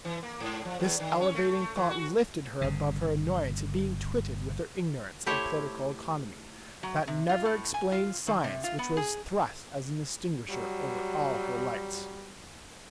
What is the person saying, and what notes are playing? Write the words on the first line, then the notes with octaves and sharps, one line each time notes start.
This elevating thought lifted her above her annoyance at being twitted with her ignorance of political economy, that never-explained science which was thrust as an extinguisher over all her lights.
E3
A#3
G#2
F3
E2
D#3
C#4
A3
A3
E3
F#4
G1 C#3
A3 E4 G4 C5 C#5
F#3
C3
F4
A2
G#5
F4
D#3
C3
F4
B3
G#4
F#3 G3